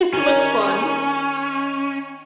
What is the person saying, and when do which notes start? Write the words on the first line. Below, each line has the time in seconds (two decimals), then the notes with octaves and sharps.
looks fun
0.13 D#3 C#4 C#5